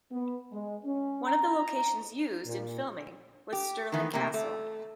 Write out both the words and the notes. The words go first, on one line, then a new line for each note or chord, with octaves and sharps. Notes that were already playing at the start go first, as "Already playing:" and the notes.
One of the locations used in filming was Stirling Castle.
B3
G#3
C#4
A#5
A#2
G4
D#3 E3 B3
C3 A3 A#3
A3